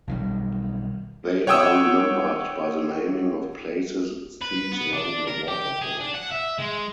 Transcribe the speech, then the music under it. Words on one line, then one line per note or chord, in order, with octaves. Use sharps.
They are remembered by the naming of places and streets along the waterfront.
B1 D#3 G3
C#5 F#5 G5 D#6 E6
B4
B3
D4
A#4
G4
G#4
D4
F#5
E5
G#3